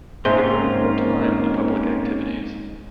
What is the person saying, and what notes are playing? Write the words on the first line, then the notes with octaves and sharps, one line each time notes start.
He devoted more time to public activities.
G#2 A#3 C4 C#4 F4 C5 E5 C6